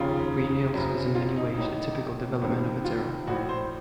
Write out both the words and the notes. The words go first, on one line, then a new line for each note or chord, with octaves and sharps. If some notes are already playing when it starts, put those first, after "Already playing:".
Green Hills is in many ways a typical development of its era.
Already playing: F1 D#2 C#3 F4
F#1 F#2 C#3
F4
D#4
A1 A2 D#4
C#2 C3 D#3
F4
A#1 A2 F#4
C5